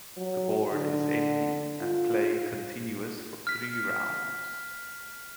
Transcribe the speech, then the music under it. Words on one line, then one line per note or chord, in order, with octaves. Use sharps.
The board is emptied and play continues for three rounds.
F#3
D3
F4
F6 B6